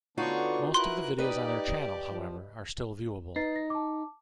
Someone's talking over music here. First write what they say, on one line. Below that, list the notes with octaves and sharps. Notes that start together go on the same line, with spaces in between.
Most of the videos on their channel, however, are still viewable.
D3 B3 D4 D#4 F4 F#4 C#5 C#6
E4 A#4 B4 C6 F#6
D#4 G4 B4 D5 D#5
F3
D#4 B4 A6 C7
A#6
A5 D6